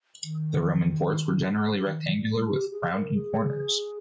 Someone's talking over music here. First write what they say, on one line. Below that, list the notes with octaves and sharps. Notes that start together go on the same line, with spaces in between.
The Roman forts were generally rectangular with rounded corners.
D#3
D#3
E3
G3
G#3
G4
G#4
A#4
G#4